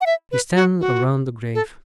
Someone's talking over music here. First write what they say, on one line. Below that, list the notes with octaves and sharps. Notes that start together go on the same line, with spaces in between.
We stand around the grave.
F#5
E5
B4
F#4
F#4
A4